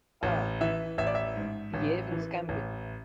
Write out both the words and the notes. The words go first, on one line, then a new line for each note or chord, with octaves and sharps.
Ah, the Evans Gambit!
A1
E3 E5
A1 E5
D5
E5
G#2
A1
E3
A1